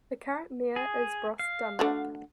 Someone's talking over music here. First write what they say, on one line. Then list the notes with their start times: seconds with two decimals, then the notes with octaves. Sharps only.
The current mayor is Ross Dunlop.
0.76 G#4
1.39 F5
1.79 D3 A3 F#4